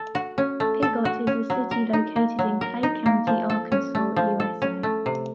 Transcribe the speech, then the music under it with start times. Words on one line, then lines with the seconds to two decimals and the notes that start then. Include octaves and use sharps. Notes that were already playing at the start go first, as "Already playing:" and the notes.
Piggot is a city located in Clay County, Arkansas, USA.
Already playing: A4
0.15 F#4
0.38 C#4
0.60 A3
0.82 A4
1.05 F#4
1.27 C#4
1.50 F#3
1.71 A#4
1.93 D#4
2.16 A#3
2.39 F#3
2.61 A#4
2.83 D#4
3.06 A#3
3.27 F3
3.50 A4
3.72 C#4
3.95 A3
4.16 F3
4.40 A4
4.62 C#4
4.83 A3
5.06 C3